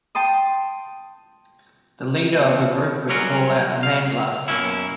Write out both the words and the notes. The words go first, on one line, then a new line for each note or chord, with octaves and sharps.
The leader of a group would call out Amandla!
G5 A5 C6 D#6
B2
F#3 G3 C#4 F4 F#4 A#4
F5
F#2 B2 A#3 C#4 E4